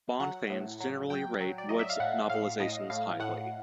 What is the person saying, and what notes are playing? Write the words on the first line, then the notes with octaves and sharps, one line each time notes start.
Bond fans generally rate Wood's novelisations highly.
F#3 F#5
A2
F#3
F#3 G5
F#3
D5
F#3 D#5
E5
F5
A2 F#5
A2 F5
A2 D#5
A2 F5
A2 F#5